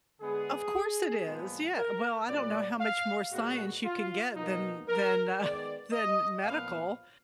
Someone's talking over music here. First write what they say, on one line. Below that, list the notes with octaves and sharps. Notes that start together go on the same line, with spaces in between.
Of course it is. Yeah, well, I don't know how much more science you can get than than, uh, than medical.
D3 G#3 B3 G#4
A#2 F3 G#3 B3
A#4
A#2 F#3 B3 D5
F5
A#2 G#3 B3 F#4
F4
B2 A#3 D#4
A#4
D#3 G#3 B3 D5
D#5
A#2 F3 B3 F5